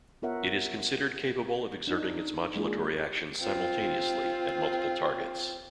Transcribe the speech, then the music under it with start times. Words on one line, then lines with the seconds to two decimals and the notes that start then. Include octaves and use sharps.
It is considered capable of exerting its modulatory actions simultaneously at multiple targets.
0.22 B3 F4 A#4 C#5 E5 F#5
1.87 D4 D#4
2.56 G#3 A#3 D4 F4 G#4
3.40 C4 F4